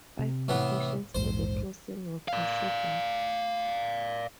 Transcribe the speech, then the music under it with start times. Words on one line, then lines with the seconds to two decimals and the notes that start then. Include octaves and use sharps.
Five locations for the crossing were considered.
0.19 C3
0.48 A2 E3 B3
1.15 A#1 E2 G#2 C5
2.28 D5 F5